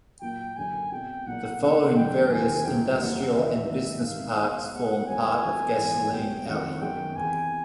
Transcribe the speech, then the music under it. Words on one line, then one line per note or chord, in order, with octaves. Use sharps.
The following various industrial and business parks form part of Gasoline Alley.
A#2 F#3 A#3 G5
F#2 D3 F#3 G#5
B2 G#3 C4 G5
B1 A#2 F#3 A#3 D4 F#5
A#2 F3 G#3 B3 D#4 F#5
F#2 D#3 F#3 G5
E1 D#2 D#3 F#3 G#5
A#1 G#2 F3 A#3 G5
F#1 F2 D3 G3 A#3 F#5
D#2 C#3 E3 E5
G#2 D#3 F#3 A#3 D4
G#1 G#2 D#3 F5
B1 B2 F#3
B2 G#3 B3 F#5
F2 D3 G3 B3 G#5
D2 C3 F3
G#2 E3 G#3 B3
C2 B2 F#3 B3 G5
F2 C3 D#3 F#5
F#2 D#3 G#3 B3 G5
E2 C3 E3 G#5